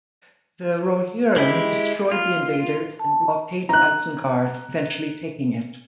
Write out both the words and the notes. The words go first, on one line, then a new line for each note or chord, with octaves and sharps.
The Rohirrim destroyed the invaders and blockaded Isengard, eventually taking it.
G#3 E4 G4
F4
A5
A#5 F#6